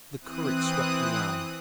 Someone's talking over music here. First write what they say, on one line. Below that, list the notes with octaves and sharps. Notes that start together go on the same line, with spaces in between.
The current swept me on.
E3 C4 D#6 F#6